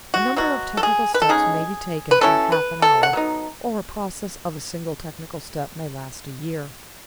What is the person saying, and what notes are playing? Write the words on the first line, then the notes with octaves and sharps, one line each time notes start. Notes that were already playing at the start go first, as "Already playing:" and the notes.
A number of technical steps may be taken in half an hour, or a process of a single technical step may last a year.
F#4
B2 F#3 B3 F#4
A4
G#4
B4
A4
C#3 G#3 D#4 G#4
B4
F#3 C#4 E4 A4
B4
A4
F#5
F#3 B3 D#4